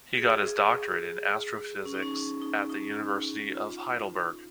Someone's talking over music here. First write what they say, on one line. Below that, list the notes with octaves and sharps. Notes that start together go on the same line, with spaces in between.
He got his doctorate in Astrophysics at the University of Heidelberg.
G#4
C#4
D#4
C#4
C#4
D#4
D#4
F4